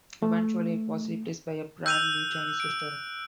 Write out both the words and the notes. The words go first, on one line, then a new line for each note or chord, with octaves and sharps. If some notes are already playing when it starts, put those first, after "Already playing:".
Eventually it was replaced by a brand new Chinese restaurant.
A3
E6 F#6 G6 D#7 F7
D7